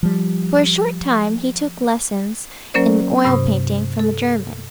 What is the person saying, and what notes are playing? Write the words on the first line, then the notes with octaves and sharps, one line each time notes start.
For a short time he took lessons in oil painting from a German.
F3 G3
F#3 A#3 C#4 A#4 C5 D5
G2 C3 C5 C#6 D#6
A4